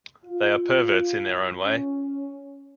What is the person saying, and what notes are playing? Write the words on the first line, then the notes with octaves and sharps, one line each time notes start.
They are perverts in their own way.
F4
C#4